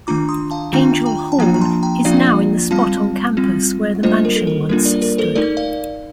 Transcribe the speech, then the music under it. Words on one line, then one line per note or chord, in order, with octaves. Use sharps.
"Angell Hall" is now in the spot on campus where the Mansion once stood.
D#3 A3 D4 F4 A#5 D6
C6 D#6
F5 A5
D#3 A3 D4 F4 G5 A#5
G5 A#5
A5
F3 A#3 D4 F4 G5 A#5
A#5
A5 C6
G5 A#5
F3 A#3 D4 F4 D5 F5
G3 C4 F4 F5 A5
G3 C4 F4
G3 A#3 D4 F4 C5 D#5
A#4
A4
A#4
G3 A#3 D4 F4 A#4
A#4 D5
A#4
A4 C5
A3 D#4 A#4 D5
D5 F5